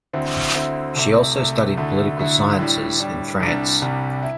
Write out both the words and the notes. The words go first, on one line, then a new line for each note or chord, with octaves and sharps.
She also studied Political Sciences in France.
D2 D3 C4 E4
D2 D3 C4 E4
C2 C3 A3
C2 C3 A3
D2 D3 A3 E4
D2 D3 A3 E4
A2 G3 D4
A2 G3 D4
C2 C3 G3 D4
C2 C3 G3 D4
E4